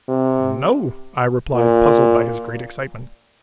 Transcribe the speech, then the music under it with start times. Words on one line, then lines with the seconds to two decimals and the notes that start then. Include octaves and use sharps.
"No," I replied, puzzled by his great excitement.
0.09 C3
1.55 A#2